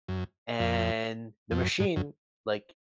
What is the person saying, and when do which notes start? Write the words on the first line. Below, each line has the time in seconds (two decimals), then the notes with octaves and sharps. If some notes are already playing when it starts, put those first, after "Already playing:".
and the machine, like,
0.08 F#2
0.60 F2
1.51 F2
1.63 F#2
1.80 G#2
1.96 F#2